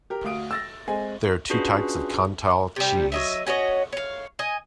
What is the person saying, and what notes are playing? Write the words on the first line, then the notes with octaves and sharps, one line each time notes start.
There are two types of Cantal cheese.
G4 A#4
D2 F#4 F5 D#6 D7
E6 A6 A#6
G#3 C4 G#5
C#4 D4 F4 F#4 G#4 B4
C3 G3
F#3 D#5 E5
C#4 F#4 C#5 D#5
C#5 F5
D#5 G#5